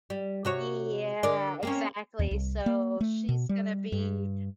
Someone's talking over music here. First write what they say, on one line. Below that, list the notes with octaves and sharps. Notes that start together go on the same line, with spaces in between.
Yeah, exactly, so she's gonna be
G3
C3 F#4 C#5
D3 A#4 D5
A#3 C4 C#4
D#2
C2
A#3
A3
B2
G3
G2